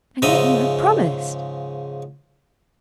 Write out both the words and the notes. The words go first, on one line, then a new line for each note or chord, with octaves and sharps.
"And yet you have promised?"
G#2 C#3 F3 D#5 E5 D#6